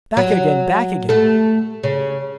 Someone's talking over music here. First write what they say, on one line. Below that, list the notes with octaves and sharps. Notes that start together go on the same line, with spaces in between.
'Back again! back again!
F#3
A3 A4
C#3